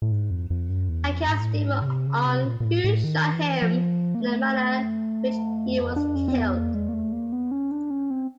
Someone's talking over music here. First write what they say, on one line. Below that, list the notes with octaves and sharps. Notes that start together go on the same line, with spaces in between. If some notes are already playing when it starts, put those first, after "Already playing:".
Accounts differ on who shot him and the manner in which he was killed.
A2
G#2
F2
F2
F#2
E2
F2
G#2
A2
G#2
C#3
C3
C#3
C3
A#2
A#2
A2
A2
D#3
E3
F3
A#3
A3
D4
C#4
C4
B3
A#3
G#3
A#3
A3
A#3
B3
C#4
D4
C#4
C4